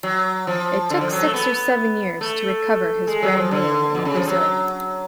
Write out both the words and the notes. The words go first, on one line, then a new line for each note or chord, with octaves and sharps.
It took six or seven years to recover his brand name in Brazil.
F#3
F3
D3
F3
F#3
A3
B3
A3
G#3
F#3
F3
D3
B2
C#3
F3
F#3